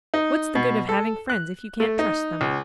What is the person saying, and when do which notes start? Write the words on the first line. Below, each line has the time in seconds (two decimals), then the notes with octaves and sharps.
What's the good of having friends if you can't trust them?
0.14 D#4
0.55 B2
0.89 A4
1.30 F#6
1.80 A3
1.99 D#4
2.41 C#2